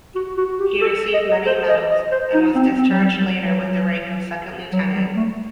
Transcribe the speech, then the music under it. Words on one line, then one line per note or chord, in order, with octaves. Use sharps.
He received many medals and was discharged later with the rank of second lieutenant.
F#4
F#4
G4
A4
A4
D#5
D#5
C5
D#5
D#5
C5
D#4
C4
C4
F#3
G3
G3
F#3
F#3
G3
A3